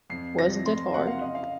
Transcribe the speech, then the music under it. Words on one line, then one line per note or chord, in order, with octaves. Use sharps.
Wasn't it hard?
F2 C7
C3 F3 C4 A#6
F2 C6
C3 F#3 A#3 F#5
F5
C#3 D#5
F5